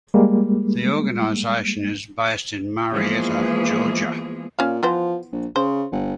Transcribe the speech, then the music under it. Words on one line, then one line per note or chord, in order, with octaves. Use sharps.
The organization is based in Marietta, Georgia.
G3 G#3 A#3
E3 F3 G#3 A#3 B3 G#4
A#2 C#4 F5
E3 F3 B3 C5
A#1
C#3 C5
G1